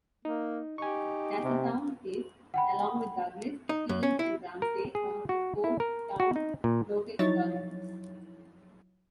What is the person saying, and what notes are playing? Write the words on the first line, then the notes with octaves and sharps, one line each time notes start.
Castletown is, along with Douglas, Peel and Ramsey, one of four town local authorities.
A#3 D#4
D#4 G4 G#5 C#6
C3
F#5 G5 B5
D#4
F#2
C#4
E4
A#4
G#4
F#4
E4
A#4
F#4
D#4
A#2
F3 F#3 D#4 E4 C#5 A6